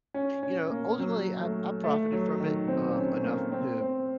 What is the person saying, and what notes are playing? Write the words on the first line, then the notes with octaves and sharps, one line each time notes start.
you know, ultimately, I I profited from it, um, enough to
C#4
C#4
A#3
F#3
A3
A3
F#3
D#3
C4
C#4
A#3
C4
C4